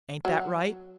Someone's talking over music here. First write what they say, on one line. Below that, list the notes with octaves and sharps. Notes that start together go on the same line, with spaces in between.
Ain't that right?
F#3